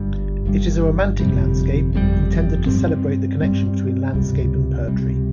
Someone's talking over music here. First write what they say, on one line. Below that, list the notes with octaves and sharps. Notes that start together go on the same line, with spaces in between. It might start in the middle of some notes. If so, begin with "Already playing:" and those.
It is a "romantic landscape", intended to celebrate the connection between landscape and poetry.
Already playing: G1 G2 G3
G1 G2 G3
G1 F2 C3 G3
G1 F2 C3 G3
G2 G3 C4
G2 G3 C4
C#2 C3 G3
C#2 C3 G3